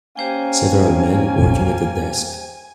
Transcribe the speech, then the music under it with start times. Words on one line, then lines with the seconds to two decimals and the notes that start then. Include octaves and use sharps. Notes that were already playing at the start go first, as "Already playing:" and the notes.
Several men working at a desk.
0.17 A#3 C#4 G4 C5 G5 G#5